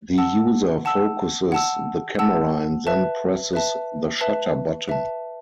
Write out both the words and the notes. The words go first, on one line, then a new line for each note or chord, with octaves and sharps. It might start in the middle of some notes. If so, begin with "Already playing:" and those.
The user focuses the camera and then presses the shutter button.
F#5 A5 E6
F#5 A5 E6
F#5 A5 E6
F#5 A5 E6
B4 E5 A5
B4 E5 A5
B4 E5 A5
B4 E5 A5